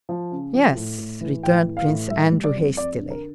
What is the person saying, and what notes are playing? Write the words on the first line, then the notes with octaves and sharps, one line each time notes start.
"Yes," returned Prince Andrew hastily.
F3
C#3
F3
A2
A2
E3
A2 G5
E3
F5
A2
G3 E5
G3
D5
F2
F2 D5
D3
A#4